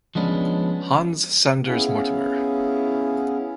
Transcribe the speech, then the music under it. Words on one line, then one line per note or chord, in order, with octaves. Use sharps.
Hans Sanders Mortimer.
F3 G#3 B3 C#4 D4
B3 C#4 E4 G#4 F5